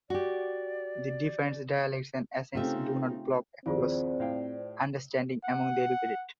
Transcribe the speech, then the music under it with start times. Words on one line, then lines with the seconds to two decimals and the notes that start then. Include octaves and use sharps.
The different dialects and accents do not block cross-understanding among the educated.
0.10 F#4 G4 D5
2.55 C#3 A3 C4 D#4 F4 G4 E5
3.66 A#1 D#2 C4 E4 F4 G#4 C5 D5
4.20 A2 F5 G5
5.44 F#5